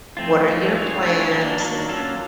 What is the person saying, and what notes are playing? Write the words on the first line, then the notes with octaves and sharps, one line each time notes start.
What are your plans?
F3 A3 C4 F4
F3 A3 C4 F4
A3 D4 F4 G#4 C#5
A3 D4 F4 G#4 C#5
D#3 F#3 A#3 D4
D#3 F#3 A#3 D4
F#3 A#3 C#4 F4 A4